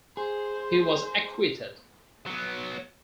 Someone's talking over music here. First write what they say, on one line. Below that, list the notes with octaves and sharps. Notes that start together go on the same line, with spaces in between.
He was acquitted.
G#4 C5
F#3 B3